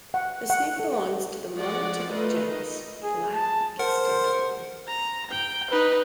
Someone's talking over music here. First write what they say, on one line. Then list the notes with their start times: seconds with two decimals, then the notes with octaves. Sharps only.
The snake belongs to the monotypic genus "Elachistodon".
0.14 F#5
0.50 F#5
0.80 A4
1.54 F3 G#3 F#4 D5 F#5
2.10 A3 F4 A#4 B4 D#5
2.49 D#4 D#5
3.03 G#4
3.34 A5
3.79 A#4 C5 F#5
4.87 A#5
5.30 G5
5.70 D#4 B4